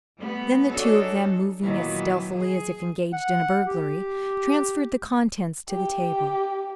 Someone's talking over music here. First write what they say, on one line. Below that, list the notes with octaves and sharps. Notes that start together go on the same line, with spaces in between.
Then the two of them, moving as stealthily as if engaged in a burglary, transferred the contents to the table.
G3 A3 B3
D4 D#4 F#4 G#4 A4 C#5
A#2 D#3 E3 F#3 B3 E4
G#4
F#5
G4
G4